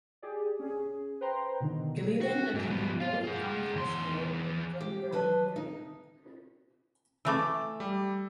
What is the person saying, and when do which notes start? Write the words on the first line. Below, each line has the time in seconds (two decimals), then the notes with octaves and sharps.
Gilleland attended North County High School in Glen Burnie, Maryland.
0.23 G4 G#4 D5
0.59 C#4 G#4
1.21 B4 C5 G5 A#5 C6
1.60 B2 D3 D#3
2.21 F#4
2.54 G#2 F#3
2.70 F3 B3
3.01 F4 F5
3.24 G#4 F#5
3.76 E2 C6
4.81 G4
5.12 F#3 B4 D#5 A5
5.56 D#4
7.25 E3 A3 D6 E6
7.80 G3